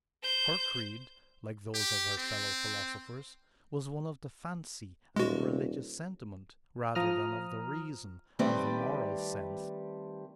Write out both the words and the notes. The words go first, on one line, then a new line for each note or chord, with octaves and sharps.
Her creed, like those of her fellow-philosophers, was one of the fancy and the religious sentiment, rather than of the reason and the moral sense.
C5 G6
G4
C4
D#1 G#3 F#4
F3 A#5 D#6 F6
D#3 G3 A3 C4 B4 D5